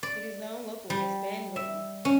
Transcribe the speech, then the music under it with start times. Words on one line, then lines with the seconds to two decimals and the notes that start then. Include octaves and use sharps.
It is known locally as "Ben Whitton".
0.03 D5
0.90 G3
1.56 E5
2.05 C#4